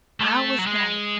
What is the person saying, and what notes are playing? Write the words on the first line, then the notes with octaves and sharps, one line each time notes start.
I was, like
A3
F#3
G#3